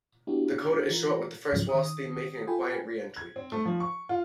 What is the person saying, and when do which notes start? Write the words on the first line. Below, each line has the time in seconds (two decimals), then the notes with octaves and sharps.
The coda is short with the first waltz theme making a quiet reentry.
0.27 B3 D4 E4 F#4 G4
0.90 E3 F4 A#4 A#6
1.52 C#2 G#2 C#3 F3 F#3 C#4
1.69 D#3 D#6
2.47 F4 A4 G5 G#5 B5
3.17 G#6
3.36 C4
3.52 A3
3.65 F3
3.80 C#6
4.09 F4